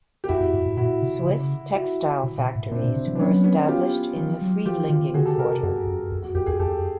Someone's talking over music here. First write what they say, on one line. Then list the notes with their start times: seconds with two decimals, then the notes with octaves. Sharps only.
Swiss textile factories were established in the Friedlingen quarter.
0.24 G4
0.28 F2 E4 F#4
0.40 F#2
0.54 G2
0.66 G#2
0.77 A#2 E4 F#4
1.02 C3
1.25 C#3
1.74 E4 F#4
2.23 C3
2.39 B2
2.55 A2
2.71 A#2 C4 D4
2.84 B2
2.96 C3
3.07 F3
3.15 D4
3.19 F#3 B3 C#4
3.44 B3 C#4
3.68 F4 G4
4.17 F3
4.41 F#3
4.65 F3 F4 G4
4.89 D#3 F4 G4
5.14 D3 F#4 G#4
5.26 G4 A4
5.38 C3 G#4 A#4
5.50 G4 A4
5.63 F#2 F#4 G#4
5.87 F#2
6.12 F2
6.22 F#4
6.35 F2 G4
6.46 E2 G#4
6.60 F2 G4 A4